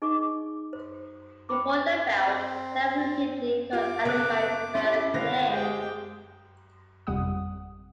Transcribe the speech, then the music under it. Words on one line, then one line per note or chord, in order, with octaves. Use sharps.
Before the bout, Terrell repeatedly called Ali by his birth name.
D#4 G#4 D#5 C#6 D6
C5
C5 G5 B5 C6 D6
C4
F4 G4 D6
C#3 A#3 B3 A4 A#4 F#6
C#4 E4 G4 C6
D3 C4 E4 B4 C#5 F5 A#6
G#3 G4 G5
G#1 F2 C3 G3 F#5 D#6